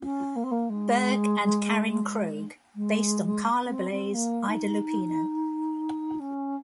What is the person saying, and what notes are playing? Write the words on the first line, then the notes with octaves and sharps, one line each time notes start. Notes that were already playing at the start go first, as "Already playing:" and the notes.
Bergh and Karin Krog, based on Carla Bley's "Ida Lupino".
C#4
A#3
C4
A#3
G#3
G#3
C4
C4
A#3
D#4
C#4